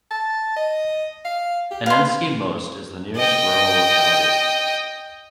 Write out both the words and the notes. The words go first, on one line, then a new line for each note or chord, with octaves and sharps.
Annensky Most is the nearest rural locality.
A5
D#5
F5
G4
B4 F5 C6
D#5 G5